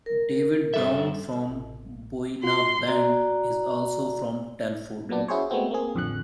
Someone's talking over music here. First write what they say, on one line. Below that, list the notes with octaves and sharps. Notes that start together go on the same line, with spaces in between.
David Brown from Boyinaband is also from Telford.
A#4
G2 D#3 A4 E5
A1
F4 F#4 C6
F#4 D5 A#5
A#2 F#3 B3 D4
C#4 E4 F#4 G#4 C5 C#5
G#3 A3 B3 C4 F#4
A#3 C4 G#4
A1 F2 D3 F#6